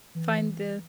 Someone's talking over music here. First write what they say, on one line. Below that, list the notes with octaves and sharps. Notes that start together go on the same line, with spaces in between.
find the
E3